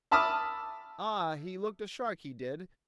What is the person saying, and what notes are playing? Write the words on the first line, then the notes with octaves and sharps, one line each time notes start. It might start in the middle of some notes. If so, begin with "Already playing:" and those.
Ah, he looked a shark, he did!
E5 A5 B5 D6 D#6 F6